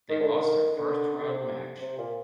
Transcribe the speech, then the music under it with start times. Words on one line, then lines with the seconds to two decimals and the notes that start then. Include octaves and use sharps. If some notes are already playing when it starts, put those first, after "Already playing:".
They lost their first round match.
0.09 D#3
0.21 D3
0.34 D#3
0.77 D3
1.21 D3
1.29 C3
1.81 C3
1.98 A#2